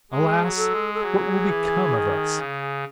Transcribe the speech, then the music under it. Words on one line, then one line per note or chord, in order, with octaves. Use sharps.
Alas, what will become of us?
G#3 G#4
F#3
A4
G#3
A4
F#3 G#4
E3
D#3
C#3